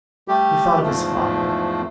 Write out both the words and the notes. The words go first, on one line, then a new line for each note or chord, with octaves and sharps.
He thought of his father.
G3 A3 G4
E2 G#2 F3 A3